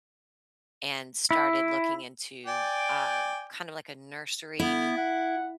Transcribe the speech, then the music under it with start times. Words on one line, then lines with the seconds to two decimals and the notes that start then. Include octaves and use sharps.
and started looking into, uh, kind of like a nursery,
1.31 E4
2.46 D5 G5 G#5
4.59 B3 E4
4.98 F#5